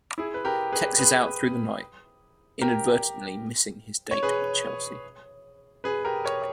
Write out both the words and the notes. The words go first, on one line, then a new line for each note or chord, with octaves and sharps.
Tex is out through the night, inadvertently missing his date with Chelsee.
E4 G#4
B4
G4 A#4
G#4 B4
G#4 B4
G4 A#4
C#5
G#4 B4
G#4 B4
G4 A#4
A#4 C#5